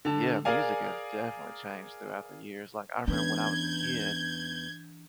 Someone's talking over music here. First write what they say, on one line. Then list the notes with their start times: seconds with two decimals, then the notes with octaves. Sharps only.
Yeah. Music has definitely changed throughout the years, like, I remember when I was a kid
0.05 D3 A5
0.45 G#4 A#4 D5 F5 G#5
3.07 E2 E3 B3 C#4 D4 G6 G#6